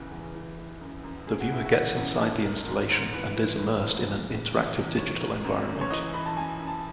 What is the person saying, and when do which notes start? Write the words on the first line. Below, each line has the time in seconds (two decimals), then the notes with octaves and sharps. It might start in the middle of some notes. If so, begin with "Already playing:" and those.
The viewer gets inside the installation and is immersed in an interactive digital environment.
Already playing: E2 C#3 E3
0.11 E2
0.35 E3
0.57 E3
0.81 F#2
1.04 F#2
1.27 F#2 G#4
1.40 F#4
1.50 C#3 E4
1.65 F#4
1.73 E3
1.97 F#2
2.19 D#3 A4
2.42 D#3
2.66 G#2
2.89 G#2
3.12 E3 B4
3.36 E3
3.59 A2
3.82 A2
4.05 E2
4.28 C#3
4.51 E3
4.75 E2
4.98 D#3 C#5
5.21 D#3
5.44 F#2
5.67 F#2
5.81 C#5
5.90 E3 D#5
6.13 E3 B5
6.26 A5
6.36 F#2 G#5
6.60 F#2
6.67 A5